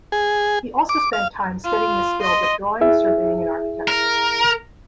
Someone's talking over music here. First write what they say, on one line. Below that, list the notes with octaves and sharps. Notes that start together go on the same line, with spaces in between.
He also spent time studying the skills of drawing, surveying, and architecture.
G#4
D6
F5
F4
D#5 C6
E4 G#4 E5
A#4